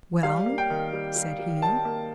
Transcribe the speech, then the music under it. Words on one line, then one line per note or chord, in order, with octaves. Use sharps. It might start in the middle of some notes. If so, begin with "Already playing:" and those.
"Well?" said he.
G3 F5
A#3
G5
D#3
G3
G3
G3
D#3 A5
A#3